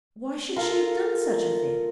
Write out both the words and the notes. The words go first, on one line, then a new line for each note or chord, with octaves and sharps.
Why should she have done such a thing?
F4 A4 A#4 F5